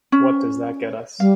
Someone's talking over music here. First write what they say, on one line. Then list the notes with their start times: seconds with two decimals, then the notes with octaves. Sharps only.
What does that get us?
0.12 C#4
1.20 G3 F5